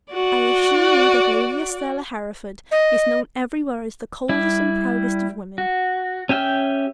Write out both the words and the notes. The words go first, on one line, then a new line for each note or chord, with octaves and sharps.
I assure you that Lady Estelle Hereford is known everywhere as the coldest and proudest of women.
F#4 D5
D#5
G3 E4
F#4
C#4 G4 E5 G5 F6